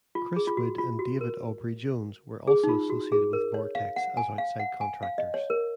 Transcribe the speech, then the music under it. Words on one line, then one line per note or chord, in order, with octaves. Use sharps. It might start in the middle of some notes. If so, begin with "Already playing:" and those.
Chris Wood and David Aubrey-Jones were also associated with Vortex as outside contractors.
F4
G#4
F4
F#4
F4
F#4
A#4
G#4
D#4
F4
F#4
G#4
A#4
C#5
F5
F#5
G#5
F5
F#5
G#5
F5
D#5
C#5
A#4